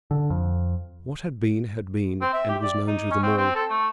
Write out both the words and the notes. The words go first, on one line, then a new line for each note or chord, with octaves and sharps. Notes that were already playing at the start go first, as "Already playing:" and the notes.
What had been had been, and was known to them all.
D3
F2
C4
E5
G4
D5
D#4
C#4
C4
C4
A4
A3